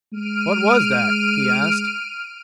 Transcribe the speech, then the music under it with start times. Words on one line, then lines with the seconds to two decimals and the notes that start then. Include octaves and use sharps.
"What was that?" he asked.
0.12 G#3 F6 D7 D#7